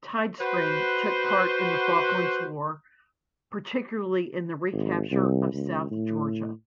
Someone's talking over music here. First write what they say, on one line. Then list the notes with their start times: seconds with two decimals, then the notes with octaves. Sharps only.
"Tidespring" took part in the Falklands War, particularly in the recapture of South Georgia.
0.40 F#4 B4 C5
4.72 G#1
5.11 C2
5.53 C#2
5.91 A2